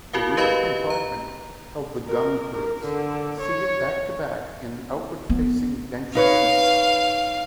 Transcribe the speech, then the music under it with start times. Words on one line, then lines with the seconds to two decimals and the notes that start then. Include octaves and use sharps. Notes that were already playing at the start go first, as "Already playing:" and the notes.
The rear compartment held the gun crews, seated back-to-back in outward-facing bench seats.
0.13 E4 F#4 A#4 F5
0.37 G4 B4 D#5 F5 B5
0.90 A#5
2.07 A#4
2.53 A#4
2.84 D3
3.40 C#5
5.29 B3
6.15 D#4 B4 C#5 F5